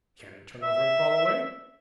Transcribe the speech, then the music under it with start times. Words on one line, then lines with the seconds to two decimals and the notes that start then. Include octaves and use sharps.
Can it turn over and crawl away?
0.63 E5